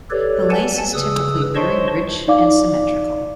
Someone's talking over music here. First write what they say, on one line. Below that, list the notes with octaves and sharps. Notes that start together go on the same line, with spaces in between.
The lace is typically very rich and symmetrical.
G4 A4 B4 C#5 D5
D5 F#5 G#5 A5
C#3 B4 D#6 E6
C5 C#5 D#5 A5 C6 C#6
D#4 D5 F5 D6